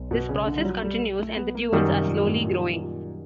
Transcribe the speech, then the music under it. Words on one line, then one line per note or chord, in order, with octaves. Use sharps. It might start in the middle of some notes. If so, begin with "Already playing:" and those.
This process continues, and the dunes are slowly growing.
Already playing: B1
B2
C#3
D3
G3
F#3
G3
A3
B3
A#3
F#2 D#3 F#3 G3
C3
A#2
A2
A#2